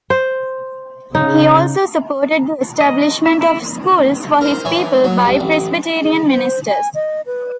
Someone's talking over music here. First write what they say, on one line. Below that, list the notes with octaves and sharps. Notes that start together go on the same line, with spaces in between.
He also supported the establishment of schools for his people by Presbyterian ministers.
C5
C#3 D#4
D#5
E5
E4
A#4 C5
E3 C#5
F#3
C2
A1
G#4
C5
G#5
D#5
B4